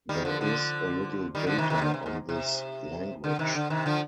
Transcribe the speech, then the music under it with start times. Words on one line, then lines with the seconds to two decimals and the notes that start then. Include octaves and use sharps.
There is little data on this language.
0.09 D#3 G3
0.25 D3 F3
0.41 D3 F3
1.35 D#3 G3
1.47 D3 F3
1.58 C3 D#3
1.70 C3 D#3
1.82 D3
1.94 C3
2.06 G#2
2.29 C3
3.24 D3
3.39 C3 D#3
3.55 D3
3.70 C3 D#3
3.86 D3 F3